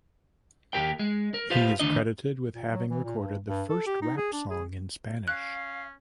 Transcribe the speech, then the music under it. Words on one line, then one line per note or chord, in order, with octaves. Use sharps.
He is credited with having recorded the first rap song in Spanish.
D#2 G#2 G4 A#4 G5
G#3
A#4
F4 G4 B4 C5 F5
D2 G2 D#3 D4 D#5
A#2
F#3
E3
A#2
G2
G2
A4
G4
D#4
G#4
D4
G#4
C#4 F5 F#6